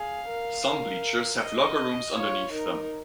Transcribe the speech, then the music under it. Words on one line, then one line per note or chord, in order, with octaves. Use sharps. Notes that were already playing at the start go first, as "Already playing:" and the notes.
Some bleachers have locker rooms underneath them.
Already playing: G#4 F5
A#4
A#4
D#5
F4 C#5
D#4 A#4